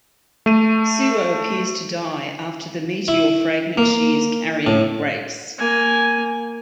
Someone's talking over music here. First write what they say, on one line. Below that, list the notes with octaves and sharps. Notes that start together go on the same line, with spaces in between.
Suo appears to die after the meteor fragment she is carrying breaks.
A3 D#7
E4
A#3
A2
A#3 G#5